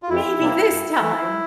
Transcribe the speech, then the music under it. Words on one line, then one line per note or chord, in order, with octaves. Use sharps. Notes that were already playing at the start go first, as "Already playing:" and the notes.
"Maybe this time."
F4
F2 E4
C3 G3 A#3
G2
E3 A3